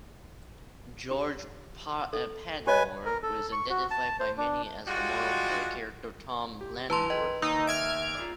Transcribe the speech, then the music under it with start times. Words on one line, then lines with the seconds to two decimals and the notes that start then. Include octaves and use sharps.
George Padmore was identified by many as the model for the character "Tom Lanwood".
1.11 G4
2.13 A4
2.67 G4 B4 C#5 D#5 G#5
3.05 A#4
3.23 A4
3.52 C#6
3.70 F#4
3.91 A5
4.19 C5
4.38 D4
4.86 G3 G#3 F4 F#4
6.61 G4
6.90 D2 E3 B4 A5 A#5 C6
7.10 D#3 G#4 B4 D#5 G5
7.42 D#2 D#4 E6
7.67 E5 F6 G#6 D7
8.15 F4 G#4 D5